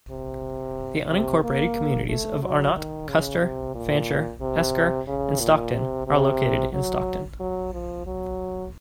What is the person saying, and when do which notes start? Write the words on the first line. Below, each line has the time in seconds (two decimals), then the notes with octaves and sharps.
The unincorporated communities of Arnott, Custer, Fancher, Esker, and Stockton are located in Stockton.
0.10 C3
1.10 C3
1.43 A#3
2.09 A3
2.43 F#3
2.75 D#3
3.08 C#3
3.41 C3
3.75 A#2
4.41 C3
5.08 C#3
5.40 A#2
5.73 C3
6.07 C3
6.74 F#3
7.40 F#3
7.73 F3
8.07 F#3